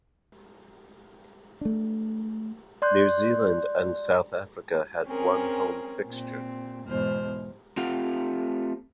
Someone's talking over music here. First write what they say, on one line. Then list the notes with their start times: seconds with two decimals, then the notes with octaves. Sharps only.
New Zealand and South Africa had one home fixture.
1.61 A3 D4
2.82 D5 C6 F#6 G6
5.06 C4 C#4 G#4 A#4
6.07 A#2 C4
6.86 E2 G#2 B2 C5 F6
7.77 A3 C4 F4 G4 F5 F#5